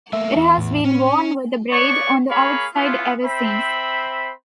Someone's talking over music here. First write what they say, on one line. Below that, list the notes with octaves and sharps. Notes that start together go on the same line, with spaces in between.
It has been worn with the braid on the outside ever since.
A3 A#3 E5
E2
A2
C#4
B3 C#5 D5 C#6
A#3 G#4 C#5 F5 B5
B3 C#4 E4 F4
C4 C5 E5 B5